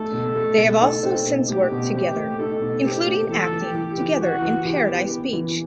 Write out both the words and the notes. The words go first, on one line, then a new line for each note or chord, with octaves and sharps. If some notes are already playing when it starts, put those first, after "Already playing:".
They have also since worked together, including acting together in "Paradise Beach".
Already playing: A3 D#4 A4
B2
A3
B2
D#4
C4
B2
A3 G4
B2
C4 G4
A3
D#4 A4
B2
C4 G4
A3
E3 A4
E3
G4
E3
G4
E3
E3 F#4
E3
E3 G4
B3
B3
E3